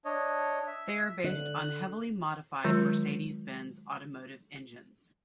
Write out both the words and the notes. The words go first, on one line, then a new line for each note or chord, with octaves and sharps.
They are based on heavily modified Mercedes-Benz automotive engines.
D4 C#5 D#5
E5
D3 F#6
D#3 F#3 G#3 F4